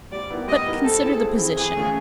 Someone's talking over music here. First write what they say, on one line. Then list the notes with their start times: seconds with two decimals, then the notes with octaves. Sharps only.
But consider the position.
0.11 G3 D5
0.30 B3 E4 G4 A#4
0.47 G3 D#5
0.66 B3 E4 G4 A#4
0.84 C4 A4
1.02 E4 G#4
1.21 C4
1.38 E4 G#4
1.57 E3 G#4
1.75 A3 C#4 F4